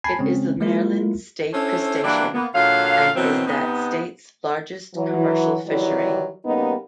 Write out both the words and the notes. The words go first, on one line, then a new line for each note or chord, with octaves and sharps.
It is the Maryland state crustacean and is that state's largest commercial fishery.
G#5 A5 B5 G#6 C7
C#3 G#3 C4 C#4
F#3 G#3 A#3 E4 F4 A#4
C#4 D4 E4 A4 C5 C#5
E3 F#3 G3 A#3 D4 E4
A#3 B3
A#2 D3 F#3 F5
B2 D#3 E3 F#3 C4
C3 B3 D#4
E3 F#3
D#3 E3 F#3 G3 E4 D5
C#3 G3 A#3 B3 D#4